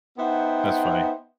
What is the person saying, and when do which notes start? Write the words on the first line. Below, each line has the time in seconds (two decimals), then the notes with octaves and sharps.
That's funny.
0.18 B3 D#4 C5 E5 F#5 G5